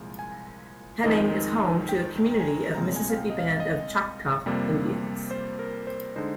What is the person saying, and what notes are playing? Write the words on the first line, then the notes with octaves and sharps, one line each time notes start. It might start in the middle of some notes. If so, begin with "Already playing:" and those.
Henning is home to a community of Mississippi Band of Choctaw Indians.
Already playing: C2 A#2 F3 G#3
G#5
F2 D#3 G#3 D#4 D#5
G5
A#5
G#5
A#5
C2 A#2 G#3 C4 A#5
G#5
F5
G5
D#5
F5
D#5
F2 C3 G3 A#3
C5
A#4
C5
D3 G#3 D#4 C5